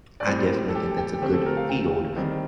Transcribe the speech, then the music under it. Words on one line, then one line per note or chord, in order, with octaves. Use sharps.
I definitely think that's a good field.
D5
A2 G3 C4 C5
A4
G4
G4
D3 A3 C4 G4
A4
A#4
F5
G5
D#3 G3 C4